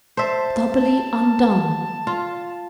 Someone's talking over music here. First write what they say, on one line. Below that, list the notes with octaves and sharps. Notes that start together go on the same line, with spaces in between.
Doubly undone!
C5 E5 A5
F4